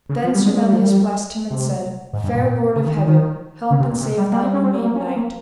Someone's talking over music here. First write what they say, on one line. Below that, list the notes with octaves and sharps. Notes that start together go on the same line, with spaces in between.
Then Sir Melias blessed him and said: Fair lord of heaven, help and save thy new-made knight.
C#3
F3
G3
G#3
G#3
G3
F3
G3
C3
G#2
G2
A#2
C#3
D#3
D#3
D#3
C#3
C3
A#2
C3
G3
A#3
C4
C#4
C4
A#3
A#3
C#4
C4
A#3